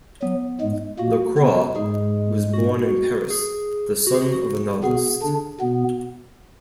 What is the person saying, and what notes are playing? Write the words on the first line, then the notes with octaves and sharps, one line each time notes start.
Lacroix was born in Paris, the son of a novelist.
F#3 B3
G#2 G#3
A#2 A#3 F#4
B2 B3
G#2 G#3 G#4
F#4
G#4
F#4
G#4
F#4
F#4
B2 B3 G#4
D3 D4
B2 B3